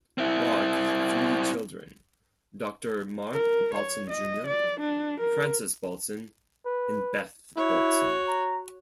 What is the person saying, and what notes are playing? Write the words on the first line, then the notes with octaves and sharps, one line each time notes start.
Marc had three children: Doctor Marc Baltzan Junior, Frances Baltzan and Beth Baltzan.
C4 E4
A#4
C#5
D#5
D5
D4
A#4
B4
E4 F#4 C#5
A#5